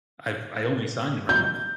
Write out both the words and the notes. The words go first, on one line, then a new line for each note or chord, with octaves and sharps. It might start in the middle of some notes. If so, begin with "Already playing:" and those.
I've I only sign and rhyme.
G6